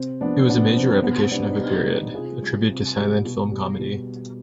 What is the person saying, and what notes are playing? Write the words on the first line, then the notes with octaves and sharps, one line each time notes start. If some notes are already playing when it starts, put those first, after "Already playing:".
It was a major evocation of a period, a tribute to silent-film comedy.
Already playing: C3 C4
F3 B3 D4
C3 B3 D4
F3 C4
B2 B3
C4
G3 B3 D4
C4 D#4
B2 D#4 G4
G3
C3 F4 G#4
G3
C3
G3
B2
G3
B2